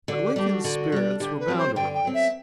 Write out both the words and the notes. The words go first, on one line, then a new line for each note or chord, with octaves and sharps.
But Lincoln's spirits were bound to rise.
D3 F#4
G4
G3 D4 G4
G4
F#4
D3
G3 D4
D3 G4
B4
F#3 C4
C5
D3 G5
G5
F#3 C4
E5